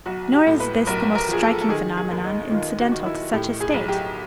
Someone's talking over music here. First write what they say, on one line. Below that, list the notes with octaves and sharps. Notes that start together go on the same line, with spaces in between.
Nor is this, the most striking phenomenon incidental to such a state.
B1 F#4
G4
A2
B4
B1 A#4
A#4
F3 G#4
A4
A4
D#3 G#4
G#4
D#2
D#4
D#3 F4
F#4
D#3
E4
A2 G4
G#4
B1
G4